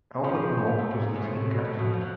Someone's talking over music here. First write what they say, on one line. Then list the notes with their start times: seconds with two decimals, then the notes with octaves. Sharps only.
Albert Nork was the team captain.
0.24 C#3 F3
0.67 G#2
0.79 A2
0.91 G#2
1.09 A2
1.16 G#2
1.24 A2
1.51 B2
1.65 A2
1.79 B2
1.93 F3
2.01 F#3